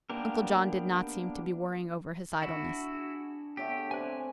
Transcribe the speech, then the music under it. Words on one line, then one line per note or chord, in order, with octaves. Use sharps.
Uncle John did not seem to be worrying over his idleness.
A#3 B3 D4 G4 A#4
D4 E4 F#4
G#4
D3 A3 B3 D4 G4 C#5 E5
C4 B4 C5 D5 E5 G#5 F#6